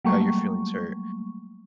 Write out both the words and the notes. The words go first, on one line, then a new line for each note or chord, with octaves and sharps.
got your feelings hurt,"
F#3 G3 A3 A#3 C#6